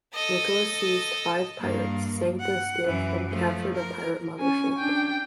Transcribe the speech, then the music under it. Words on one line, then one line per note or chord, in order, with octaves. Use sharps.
"Nicholas" seized five pirates, sank their skiff and captured a pirate mother ship.
A4 D#5
G2 A#3
F#5
F#2 E3
F3 A3
A#4
C#4 G#5
D4 G5